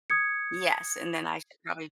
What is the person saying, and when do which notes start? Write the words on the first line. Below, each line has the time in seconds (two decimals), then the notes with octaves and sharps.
Yes, and then I should probably
0.10 D#6 G#6 C#7